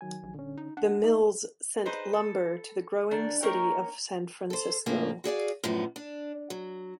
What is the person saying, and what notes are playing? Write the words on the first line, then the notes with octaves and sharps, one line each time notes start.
The mills sent lumber to the growing city of San Francisco.
D#3 F#3 G#5
A#1
D#1 D3 C#4
D#4
D4 F#5
A#3 D#4
D#4 G#4 B4 C5
A4
D#3 D4
A#3 C#4 D#4 A#4 C#5 G5
A4 C5
A2 C#3 F3 A#3 D4
F#4 G#4 D5 F5
F#2 A2 D3 F3 B3
D4
F#3